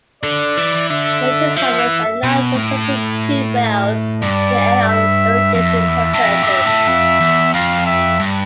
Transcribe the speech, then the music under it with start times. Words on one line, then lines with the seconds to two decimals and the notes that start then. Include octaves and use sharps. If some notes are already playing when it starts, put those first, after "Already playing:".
Certain farmers are now constructing tubewells in the area for irrigation purposes.
0.23 D3 D5
0.57 E3
0.90 D3 E5
1.56 F3 E5
1.79 E3
2.23 B2
2.56 A2
4.22 G2 D5
4.88 E5
5.54 F2 E5
5.88 E2
6.13 G2
6.21 F2
6.43 G2
6.66 A2
6.87 F2
7.21 E2
7.54 F2 F5
7.86 E5
8.20 G2